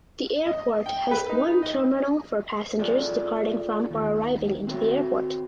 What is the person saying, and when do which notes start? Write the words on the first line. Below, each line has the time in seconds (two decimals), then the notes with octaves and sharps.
The airport has one terminal for passengers departing from or arriving into the airport.
0.46 D#5
0.86 G5
1.11 B4
1.29 D#4
1.62 D#5
2.79 F4 G#4 A4 D5
3.91 D#2
4.67 C4 F#4 C#5